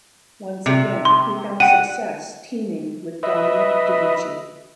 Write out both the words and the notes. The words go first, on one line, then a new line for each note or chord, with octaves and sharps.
Once again, he found success teaming with Dominic DeNucci.
C3
C6
F#5 G5 D#7
B4 D#5 E5